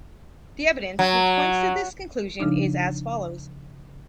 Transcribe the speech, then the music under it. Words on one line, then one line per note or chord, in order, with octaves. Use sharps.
The evidence which points to this conclusion is as follows.
F#3
C#3 F3 D4 D#4